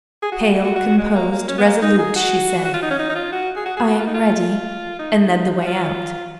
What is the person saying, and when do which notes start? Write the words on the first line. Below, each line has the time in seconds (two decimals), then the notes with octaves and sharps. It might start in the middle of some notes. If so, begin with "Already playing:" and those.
Pale, composed, resolute, she said, "I am ready," and led the way out.
0.22 G#4
0.32 F#4
0.64 F#4
0.76 F#4
0.87 F#4
0.98 G#3
1.15 A#3
1.32 A#3
1.48 C#4
1.58 B3
1.65 A#3
1.82 D#4
1.99 G#4
2.15 F#4
2.65 F#4
2.74 F4
2.82 D#4
2.90 C#4
2.99 D#4
3.10 D#4
3.15 F4
3.32 F#4
3.56 G#4
3.66 F#4
3.77 G#4
3.88 F#4
3.99 F4
4.07 D#4
4.14 F4
4.99 D#4
5.16 D#4
5.61 F#4
5.66 F4